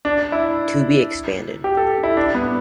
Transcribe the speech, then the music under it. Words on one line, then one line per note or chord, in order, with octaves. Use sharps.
"To be expanded".
D4
E4
G4
A4
E4
D4
B3